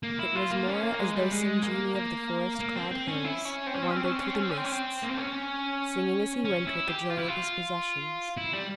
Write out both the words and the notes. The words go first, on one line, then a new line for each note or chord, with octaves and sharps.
It was more as though some genie of the forest-clad hills wandered through the mists, singing as he went with the joy of his possessions.
A#3
E4
F4
A#3
C#4
A#3
G#3
G3
G#3
A#3
A#3
A#3
C4
C4
C#4
E4
C#4
C4
C#4
C4
C#4
C4
C#4
C4
C#4
C4
C#4
C4
C#4
C4
C#4
C4
A#3
C4
C#4
C#4
E4
G4
F4
E4
F4
E4
G3